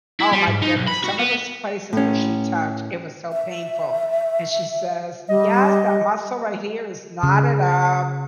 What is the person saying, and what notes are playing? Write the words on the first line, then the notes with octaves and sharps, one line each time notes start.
oh my goodness, some of those places where she touched, it was so painful, and she says, "Yes. That muscle right here is knotted up,"
E4
G3
G#2
D#4
B1
B5
F#4
B3
A2 C#4
E5
G3 D#5
C#3